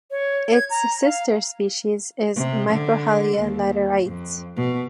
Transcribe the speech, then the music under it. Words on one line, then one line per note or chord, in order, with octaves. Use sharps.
Its sister species is "Microhyla laterite".
C#5
G#6
A#5
F5
C3
D3
D#2
F2
B2